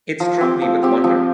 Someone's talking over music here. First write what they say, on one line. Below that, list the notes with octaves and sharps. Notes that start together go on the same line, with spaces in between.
It struck me with wonder.
F3
C4 G4
F3
C4 G4
F3